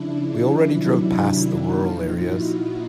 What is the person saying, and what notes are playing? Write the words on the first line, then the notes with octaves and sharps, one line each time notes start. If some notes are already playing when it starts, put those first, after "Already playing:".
We already drove past the rural areas.
Already playing: C#3 F3 D4 E4
C3 D#3 F#3
A#2 F3 D#4 F4
E4 F#4